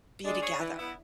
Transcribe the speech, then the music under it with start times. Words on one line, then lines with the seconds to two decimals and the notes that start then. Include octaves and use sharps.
be together,
0.24 G#3 D4
0.42 C#4 G#4 C#5
0.60 E3 E4
0.78 B3 E4